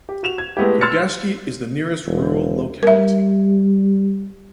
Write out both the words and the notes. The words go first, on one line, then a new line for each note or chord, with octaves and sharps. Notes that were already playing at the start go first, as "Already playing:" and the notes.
Kurgashki is the nearest rural locality.
G4
F#4 E7 F7
G#6
G#3 A3 B3 E4 G4
C6 E6 F6 G#6 A6 C#7
E1
G3 A#4 E5